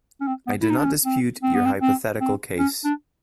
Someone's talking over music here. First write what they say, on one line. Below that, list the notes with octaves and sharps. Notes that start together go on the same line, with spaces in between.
I do not dispute your hypothetical case.
C#4
C4
B3
E4
D#4
D4
C#4
C4
C4
B3
C4
C4
C4
C#4
D4